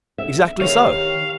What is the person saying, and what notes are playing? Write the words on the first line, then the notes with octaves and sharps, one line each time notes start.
"Exactly so."
E5
D#3 G4 C5 C#5 F5